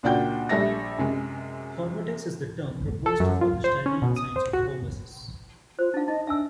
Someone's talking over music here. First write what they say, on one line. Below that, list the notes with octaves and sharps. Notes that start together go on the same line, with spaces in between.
Hormetics is the term proposed for the study and science of hormesis.
C#2 A#2 D4 F#4 G5 G6
A#1 G3 A4 E5 A#6
F#2 C3 G#3
A4
F#2
F4
C5
C#4
B2
D#6
C5
F#4
F4 C5
D4 D#4 F5
D#4 D#5
D4 E5 G#5 E6